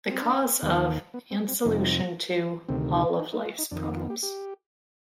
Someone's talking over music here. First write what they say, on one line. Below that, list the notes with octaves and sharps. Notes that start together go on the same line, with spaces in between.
The cause of... and solution to... all of life's problems.
C4
D4
C4
D#2 D#3 B3
B3
C4
C4
F2 C3 F3 D#4
D2 C3 D#3 C4
D#4
D#4
D#4
F4
D#4
F2 D#3 D4
D#4
F4
G4
G4